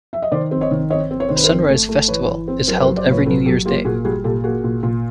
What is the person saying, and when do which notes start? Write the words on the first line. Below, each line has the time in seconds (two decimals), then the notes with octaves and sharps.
A sunrise festival is held every New Year's Day.
0.13 E5
0.22 D#5
0.32 D#3 C5 D5
0.51 C4
0.61 C#5 D#5
0.71 D#3
0.90 C4 C#5 D#5
1.11 C4
1.20 C#5
1.29 D#3 C5
1.36 B4
1.44 A#4 C5
1.50 C4
1.69 A3
1.89 A3
2.08 E3 B4 C#5
2.29 E3
2.48 C4
2.67 F#3 A#4 C5
2.75 B4
2.82 A#4 C5
2.87 F#3
2.97 C5 D5
3.07 A#2
3.12 B4 C#5
3.26 F#3 A4 B4
3.46 F#3 G4 A4
3.65 A#3 F4 G4
3.85 A#2 F#4 G#4
4.04 G3 F#4 G#4
4.24 A#2 G4 A4
4.44 A#3 F#4 G#4
4.64 A#2
4.83 A#2